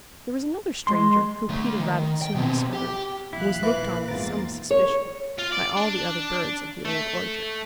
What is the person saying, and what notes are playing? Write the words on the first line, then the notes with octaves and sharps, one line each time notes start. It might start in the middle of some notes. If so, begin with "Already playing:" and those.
There was another stranger who, Peter Rabbit soon discovered, was looked on with some suspicion by all the other birds of the Old Orchard.
G#3 C6
D3 A3
D#3
G5
B2 C4
G4 G5
D#2 F3 E4 F5 F#6
A#1 E3 A#3
E2 G#2 F4 A#4 A6
C#5
F4
D5
D4
A3